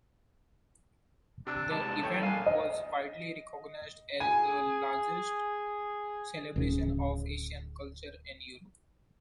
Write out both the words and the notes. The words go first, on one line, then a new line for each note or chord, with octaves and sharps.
The event was widely recognised as the largest celebration of Asian culture in Europe.
C3 D4 E6
G#2 G3 A5
A2 E3 A4 C#5 G5
A#1 A#4 F5 G#5
D#5
G#4 G#5
D1 C#3